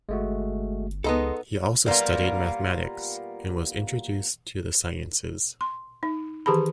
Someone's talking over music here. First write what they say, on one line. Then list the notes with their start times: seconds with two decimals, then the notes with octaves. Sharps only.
He also studied mathematics and was introduced to the sciences.
0.09 G1 G#3 A3 F#4
1.04 C#2 B3 D#4 G#4 A4 D#5 C6
1.86 G3 A#3 B3 F4
5.61 C6
6.03 D#4
6.46 D#3 E3 G4 G#4 A5 B5